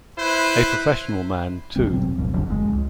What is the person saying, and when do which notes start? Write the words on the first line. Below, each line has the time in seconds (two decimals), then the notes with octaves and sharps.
A professional man, too!
0.18 E4 B4 C5
1.76 G#1 D2 G3 C4
1.91 E2 B2 F#3 C4
2.18 G1 D#2 G#2 F3
2.33 E1 C#2 F#2 D3
2.48 F#1 A#2 G#3
2.73 C#2